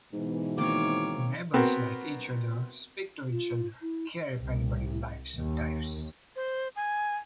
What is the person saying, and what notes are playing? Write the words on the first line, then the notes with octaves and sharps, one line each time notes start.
Neighbors like each other, speak to each other, care if anybody lives or dies!
G#2 B2 E3
D#3 A#3 C4 C#5 D6
B3 C4 F#4 A#4
F4
E4
C2
D#2
C5
G#5